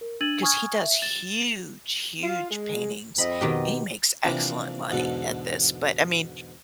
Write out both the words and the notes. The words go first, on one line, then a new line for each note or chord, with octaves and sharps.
'cause he does huge, huge paintings, and he makes excellent money at this, but, I mean,
A#4
D4 E6 G#6 A6 D#7 F#7
G#5 C#6 D#6 F6 G#6
E5
A6 E7
F4
G#3
F2 C4 D#5 B5
B2 D#3 G4
C3 E3 F3 A#3 D4
E2 G#2 B2 D3 A4